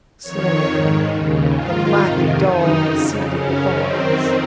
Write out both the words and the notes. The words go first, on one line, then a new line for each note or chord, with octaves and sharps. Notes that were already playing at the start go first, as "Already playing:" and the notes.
Slowly the mighty door receded before us.
F2 D#3 C#5
G#2 D#3
D#2 C#3
G#2 D#3 F4
F2 C3 D#3
F#2 D#3 D#4
F2 C#3
F#2 C#3 C#4
F#2 D#3 C4
F2 D#3 C4